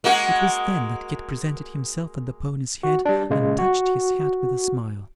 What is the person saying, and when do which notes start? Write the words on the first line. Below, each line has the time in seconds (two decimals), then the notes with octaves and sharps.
It was then that Kit presented himself at the pony's head, and touched his hat with a smile.
0.04 G#3 A#3 F#4
2.83 F#4
3.06 G3 D4
3.30 A#2 C#3 G#3
3.59 F#4